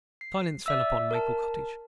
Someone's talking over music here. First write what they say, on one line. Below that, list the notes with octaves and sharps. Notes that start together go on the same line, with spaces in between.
Silence fell upon Maple Cottage.
C7
D5 E5 E6
A#4 A5